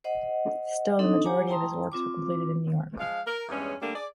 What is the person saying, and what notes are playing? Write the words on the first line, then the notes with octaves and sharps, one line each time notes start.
Still, the majority of his works were completed in New York.
C5 D#5 F#5
C4 D4 D#4 A4 D#5 D#6
G4 C#5 F#5 G#5 A#5 D6
E4 G5 A5 A#5 C6 D#6
C4 F4 D6
F3 G#3 F5
A#4
E2 G2 G#3 C#4
D3 G3 A3 A#3 D4
G#4 D5